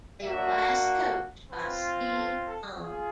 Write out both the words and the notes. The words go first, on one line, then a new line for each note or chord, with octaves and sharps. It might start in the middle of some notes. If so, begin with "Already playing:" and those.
They were last coached by Steve Thonn.
A#3 D4 F#4 E5
C4 F4 B4
A4
A4
F4 G#4